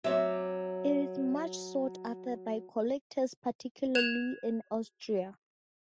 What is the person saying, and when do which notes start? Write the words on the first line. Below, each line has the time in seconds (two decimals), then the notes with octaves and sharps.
It is much sought after by collectors, particularly in Austria.
0.04 F#3 C4 E5 D6
3.95 F#6 G#6 E7 F7